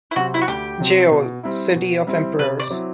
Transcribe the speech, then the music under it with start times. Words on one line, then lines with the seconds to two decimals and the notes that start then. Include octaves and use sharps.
"Jehol: City of Emperors".
0.11 E4
0.16 C3 F#3 C4 F#4
0.34 E4
0.41 F#4
0.48 D2 G4
0.80 C3 F#3 C4
1.11 B2
1.43 G3 C4 E4
1.76 B2
2.07 G3 C4 E4
2.39 C3 B4
2.60 D5
2.70 F#3 C4 E4